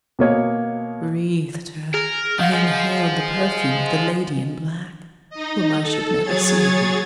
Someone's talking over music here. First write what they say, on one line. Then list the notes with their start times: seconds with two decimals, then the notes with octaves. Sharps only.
I breathed her--I inhaled the perfume of the lady in black, whom I should never see again.
0.19 B2 A#3 C#5 D#5
1.94 G#4 A#4
2.39 D#3 D#5 F5 F#5
2.53 F3 G#3
5.30 D#4 D#5
5.81 A4
6.22 F#3 G#4 C#5 G#6 A6